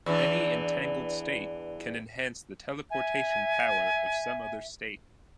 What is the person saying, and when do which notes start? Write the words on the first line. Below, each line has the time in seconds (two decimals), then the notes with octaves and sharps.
Any entangled state can enhance the teleportation power of some other state.
0.06 E2 E3 D4
2.90 E5 G#5